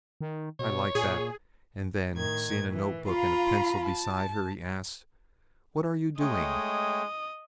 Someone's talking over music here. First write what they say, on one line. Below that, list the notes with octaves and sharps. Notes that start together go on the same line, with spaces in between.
"I like that." And then, seeing a note-book and pencil beside her, he asked, "What are you doing?"
D#3
B2 C#5
A#2 G#4
A2 D#3 G#6
E3
F4 F5 A#5 B5
A5
G#3 A3 C#5 D#5 G5